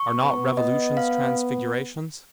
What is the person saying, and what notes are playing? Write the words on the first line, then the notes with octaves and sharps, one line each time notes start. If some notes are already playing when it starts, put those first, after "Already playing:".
Are not revolutions transfigurations?
Already playing: C#6
B3
D#5
F5